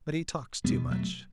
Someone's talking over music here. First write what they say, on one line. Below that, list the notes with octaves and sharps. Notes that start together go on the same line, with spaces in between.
"But he talks too much."
E2 B2 G3 B3
F#3 A3